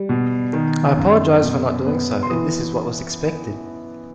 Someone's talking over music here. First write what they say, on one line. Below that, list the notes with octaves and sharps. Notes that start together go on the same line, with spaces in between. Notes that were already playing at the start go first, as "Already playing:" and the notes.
I apologize for not doing so if this is what was expected!
Already playing: G3
B2
D#3
F#2
B2
B3
C6
E3 D#6